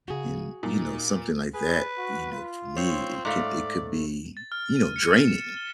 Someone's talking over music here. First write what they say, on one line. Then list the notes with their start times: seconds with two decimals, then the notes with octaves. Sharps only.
and, you know, something like that, you know, for me, it could it could be, you know, draining,
0.08 C#3 F#4 G#4
0.63 A#2 D#4
1.54 G#4 B4
1.98 F#4
2.32 F4
2.77 C4 C#5
3.25 G#2 A3 D5 F5
4.37 A6
4.52 F6
4.76 D#7
4.96 C#7
5.14 A6
5.28 E7
5.57 G7